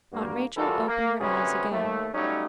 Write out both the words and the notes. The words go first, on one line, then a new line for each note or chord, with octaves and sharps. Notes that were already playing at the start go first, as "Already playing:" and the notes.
Aunt Rachel opened her eyes again.
G2 A#3 F#4
E3 G3 F4 F#4 A4 A#4
A#3
D2 C3 F#3 C#4 G#4 B4
D#2 A3
F#3 G3 A3 C#4 D#4